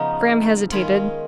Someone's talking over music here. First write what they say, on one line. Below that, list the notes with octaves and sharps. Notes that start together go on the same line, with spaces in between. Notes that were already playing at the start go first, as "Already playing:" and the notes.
Graham hesitated.
Already playing: C#3 F3 B3 D#4 D#5 A#5
D#3 G#3 C#4 F4 B5